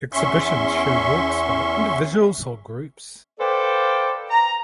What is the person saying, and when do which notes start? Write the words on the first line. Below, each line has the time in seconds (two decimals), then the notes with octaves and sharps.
Exhibitions show works by individuals or groups.
0.13 E2 C#4 E5 C6 C#6
3.40 A4 B4 C5 D5 F5 G5
4.30 A#5